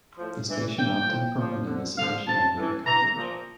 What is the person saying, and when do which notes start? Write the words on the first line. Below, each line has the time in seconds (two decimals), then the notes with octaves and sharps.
The station often promoted this additional way of coverage.
0.17 A2 F3
0.48 G2 E3
0.77 G2 E3 G5
1.07 A2 F3
1.37 A#2 F3
1.67 G2 D3 F3
1.96 G2 D3 F3 F5
2.26 G2 F3 A5
2.57 A2 E3
2.86 G2 E3 A#5
3.16 A#2 F3